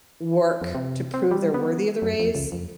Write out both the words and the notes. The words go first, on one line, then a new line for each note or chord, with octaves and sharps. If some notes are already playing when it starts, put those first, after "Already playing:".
work to prove they're worthy of the raise,
F2
C3
C4
G3
B3
F#2
F2
C#2
F2